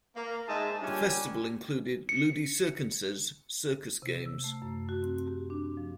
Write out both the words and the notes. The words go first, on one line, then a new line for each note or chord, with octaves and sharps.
The festival included "ludi circenses", circus games.
A#3
G#2 G#3 D#4 G#4 E5 A5
A#2 G3 C#4 D4 G4 G#5
C#7
C3
E6
A3
F#2
F#4
C4
G4
D4
F3